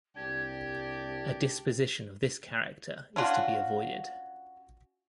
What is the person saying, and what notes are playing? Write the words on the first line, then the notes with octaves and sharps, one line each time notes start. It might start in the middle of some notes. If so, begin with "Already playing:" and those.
A disposition of this character is to be avoided.
C2 D4 G4 G#6
C#4 D4 F4 F#4